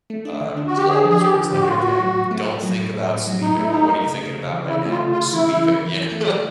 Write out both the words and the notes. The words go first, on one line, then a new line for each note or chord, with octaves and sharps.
uh, clause where it's like, "Okay, don't think about sleeping," well, “What are you thinking about right now?” “Sleeping,” you know,
A3
D4
D3
D4
F#4
D3
G4
D4 G#4
F3 G#4
F3 G4
D3
A2 G4
F#4
A2 F4
F#4
A2
F#3
A2
A3
A2
F#3
A2
A2
A2
F#3
A2 D#4
A3 E4
D#4
A3
A3
C#3
C#3
C#3
E3
C#3 E4
A3 F4
C#3
F4
C#3
E3 E4
C#3
E3
E3
E3
A3
E3